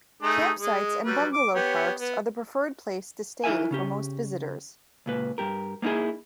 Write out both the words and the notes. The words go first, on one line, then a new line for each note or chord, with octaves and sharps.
Campsites and bungalow parks are the preferred place to stay for most visitors.
A3 D#4 G#4
G#3
F#3 G3 B4
D6
B3 G4 C#5
B3
D#4 E4 A#4 E5 G#5
C#3 C#4 G4
C#2 A#2 B4
G2 G4 A#4
A#3 B3 D#4 E4 G#4